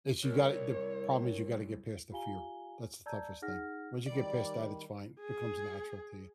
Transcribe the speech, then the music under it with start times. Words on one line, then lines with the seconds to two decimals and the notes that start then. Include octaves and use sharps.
this you got the problem is you gotta get past the fear; that's the toughest thing. Once you get past that, it's fine, becomes natural to you.
0.24 C2 A#4 C#5
2.12 F4 G4 F5 G#5 A#5 G7
3.06 D5 A5 A#5 E6 G6 G#6
3.42 D#4 G#4 F#5 F6 A#6
4.06 D#3 G3 D5
5.20 G#4